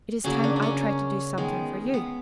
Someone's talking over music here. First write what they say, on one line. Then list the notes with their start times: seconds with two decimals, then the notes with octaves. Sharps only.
"It is time I tried to do something for you."
0.24 C#3 F#3 A#3 C#4
0.44 D4
0.56 D4
0.62 C#4
1.38 D#3 G#3 B3
1.94 B3